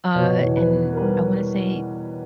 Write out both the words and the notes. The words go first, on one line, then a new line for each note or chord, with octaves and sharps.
uh, and I wanna say
B2 C#5
E2
B4
B3
A#4
G3 B4